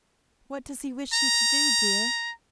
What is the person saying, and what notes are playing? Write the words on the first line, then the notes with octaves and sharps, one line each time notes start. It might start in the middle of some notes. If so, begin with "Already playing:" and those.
'What does he wish you to do, dear?'
A#5